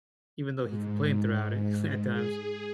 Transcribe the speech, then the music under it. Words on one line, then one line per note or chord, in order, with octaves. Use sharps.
even though he complained throughout it at times,
G#2
G#4